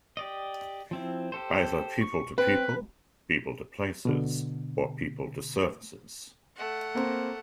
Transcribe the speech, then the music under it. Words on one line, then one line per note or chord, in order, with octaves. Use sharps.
Either people-to-people, people-to-places, or people-to-services.
G4 D5 D#5
F3 C4 E4
G4 A4 C5
C#6
C4 B4 G5
B2 D3
A3 F#5
A#3 C4 A#4